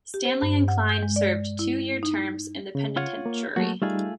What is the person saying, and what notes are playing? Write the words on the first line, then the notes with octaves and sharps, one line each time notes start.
Stanley and Kline served two year terms in the penitentiary.
G4
C5
G2
F#5
G6
G#3
D5
E4
D#4
C#3
F4 C#5 F#5
A#3
F#3 A3 A#3 F#4
G3 A3 D#4 F4 G#4